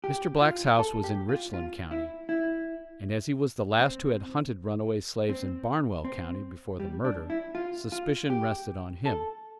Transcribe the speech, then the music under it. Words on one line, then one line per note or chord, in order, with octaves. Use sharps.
Mr. Black's house was in Richland county, and as he was the last who had hunted runaway slaves in Barnwell county before the murder, suspicion rested on him.
G4
F4
A4
G4
F4
F4
E4
E4
C4
C4
C4
G3
D4
E4
F4
F4
G4
A4